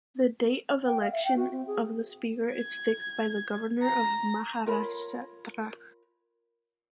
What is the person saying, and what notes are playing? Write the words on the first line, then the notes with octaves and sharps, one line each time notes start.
The date of election of the speaker is fixed by the Governor of Maharashtra.
G5
F5
E5
G5
F#4
C4
G#4
G#6
A#5
F4 A#4 C#5 B5